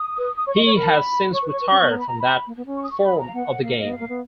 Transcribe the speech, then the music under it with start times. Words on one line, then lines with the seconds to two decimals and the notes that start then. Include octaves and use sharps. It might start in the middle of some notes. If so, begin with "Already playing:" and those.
He has since retired from that form of the game.
Already playing: D#6
0.18 B4
0.35 D#6
0.47 C#5 C#6
0.56 D#5
0.61 C#5 C#6
0.76 A#4 B5
1.33 C#5 C#6
1.42 B4
1.47 C#5 C#6
1.61 B4
1.71 C#4
1.81 B3
1.90 A#5
1.98 B5
2.07 A#5
2.19 B5
2.47 A#3
2.57 B3
2.66 C#4
2.75 C#6
2.83 D#6
2.91 C#6
3.04 B5
3.18 A#5
3.26 F5
3.33 B3 F#5
3.61 A#3 F5
3.79 A#3 D#5
3.90 B3 F5
3.99 A#3
4.09 B3